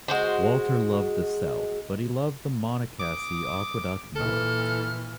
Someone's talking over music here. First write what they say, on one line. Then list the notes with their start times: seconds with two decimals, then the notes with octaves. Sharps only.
Walter loved the South, but he loved the Monocacy Aqueduct more.
0.08 G#3 F#4 C5
3.00 D6 D#6
4.16 A#2 E3 A4 F6